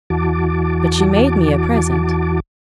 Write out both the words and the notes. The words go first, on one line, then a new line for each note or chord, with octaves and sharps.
But she made me a present.'
E2 E3 F#4 A5 D6